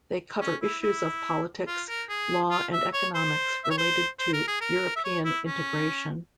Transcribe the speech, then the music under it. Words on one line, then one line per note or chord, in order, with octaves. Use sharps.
They cover issues of politics, law and economics related to European integration.
C#4
E4
E4
F4
A#4
G#4
F4
E5
C#5
C5
E5
C#5
C5
C5
A#4
G#4
A#4
E5
C#5
E4
C#4